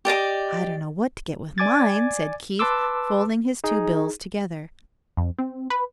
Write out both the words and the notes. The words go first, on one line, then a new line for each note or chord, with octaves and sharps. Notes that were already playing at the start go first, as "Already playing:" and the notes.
"I don't know what to get with mine," said Keith, folding his two bills together.
G4 D5 D#5 D6
D5 G#5 D6 G#6 A6
B4 A5 C6 D6 E6
D#4 G#4
F2
C4
B4